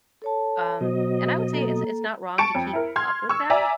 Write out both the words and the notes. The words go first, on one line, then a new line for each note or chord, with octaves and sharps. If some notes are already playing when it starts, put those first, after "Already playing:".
Um, and I would say it's it's not wrong to keep up with that.
A4 C#5 A5
B2 F#3 C5 D#5
A#3 A4 A#5
A5 C#6 C#7 D7
F2
E4 A#4
C6 F6 G#6
C#6 E6
D5 E5 G#5 A#5